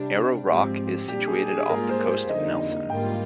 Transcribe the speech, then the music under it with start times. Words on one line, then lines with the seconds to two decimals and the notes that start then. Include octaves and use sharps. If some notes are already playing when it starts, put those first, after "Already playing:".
Arrow Rock is situated off the coast of Nelson.
Already playing: C3 G3 D4
0.47 G#2 F3 C4 G4
0.87 G4
1.08 A#2 G3 D4 G4
1.27 G#4
1.48 G#4
1.68 G#2 G3 A#3 F4 A#4
1.89 C5
2.10 C5
2.29 F2 D3 G3 A#3 D#4 D#5
2.90 G#2 G3 A#3 F4 G5